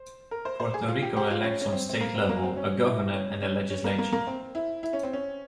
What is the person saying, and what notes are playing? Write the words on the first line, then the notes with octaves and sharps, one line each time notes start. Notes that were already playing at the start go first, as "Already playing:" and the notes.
Puerto Rico elects on state level a governor and a legislature.
Already playing: C5
A#4
C5
C5
G#4
F4
G4
G4
F4
C#4
C#4
C4
C4
A#3
C4
A#3
C4
C#4
E4
C#4
C#4
C#4
A#3
A#3
A#3
C4
E4
E4
C#4
C4
C#4